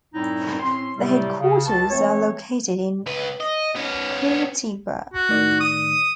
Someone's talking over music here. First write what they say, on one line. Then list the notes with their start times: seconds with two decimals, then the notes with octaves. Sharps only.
The headquarters are located in Curitiba.
0.14 F#2 A2 G3 C4 D#4 E4
0.60 A2 C4 C#4 C6
0.96 A2 C3 F#3 G3
1.39 C#3
1.66 C#2 F#4 A5
1.90 E3 A3 C4 C#5
3.06 C#2 B4
3.40 D#5
3.76 B3 C#4
5.14 F#4
5.29 A2 D#3 D5
5.61 D#6